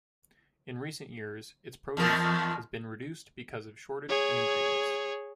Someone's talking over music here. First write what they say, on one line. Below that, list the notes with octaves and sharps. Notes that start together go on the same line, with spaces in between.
In recent years its produce has been reduced because of shortage in ingredients.
E2 F3 A#4
G#4 C#5